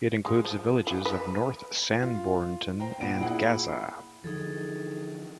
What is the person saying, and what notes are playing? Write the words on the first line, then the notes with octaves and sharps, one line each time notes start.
It includes the villages of North Sanbornton and Gaza.
G#3
F3
E3
B4
F4
C5 G5 A#5
A#2 B3 D4 D7
A#2 E4 G#4 F#5
D3 E3 F3 D#4 G#4 A4